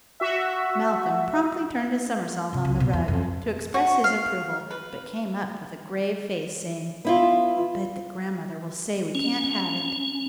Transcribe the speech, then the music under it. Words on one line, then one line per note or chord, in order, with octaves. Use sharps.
Malcolm promptly turned a somersault on the rug, to express his approval, but came up with a grave face, saying, "I'll bet that grandmother will say we can't have it."
F#4 E5
C3
C2
B2
E2
F2
F#4
F5
B4
B3 E4 F4
C#4